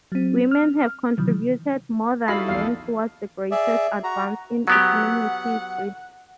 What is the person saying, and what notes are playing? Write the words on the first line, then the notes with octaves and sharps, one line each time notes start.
Women have contributed more than men towards the greatest advance in economic history.
F#3 C4
F6
C3 D#3 E3 F#3
D#4 E4 F#4 A4 F5 B5 C7
A#1 E2 F5
G#4 D5 E5
F#4 A#5
F#3 B3 G4 F#5